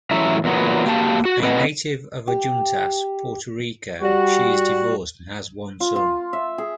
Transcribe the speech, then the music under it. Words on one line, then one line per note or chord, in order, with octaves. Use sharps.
A native of Adjuntas, Puerto Rico, she is divorced and has one son.
F#2 A2 E3 C#5 E5 A#5
E2 A#2 F#3 B3
A#3 F#4 G4 F5 A5
F#4
A2 C4 B4 D#5 F#5 G#5
G4
G3 F#4
F4
F4
E5
G#4